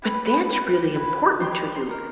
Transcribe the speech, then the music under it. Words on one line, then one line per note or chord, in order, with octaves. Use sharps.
but that's really important to you.
E4 G4 B4
B4 B5
B4 B5
B4 B5
E4 G4 B4
E4 G4 B4
E4 G4 B4 C5 C6
C#5 C#6
D5 D6
C5 C6
D#4 G4 A#4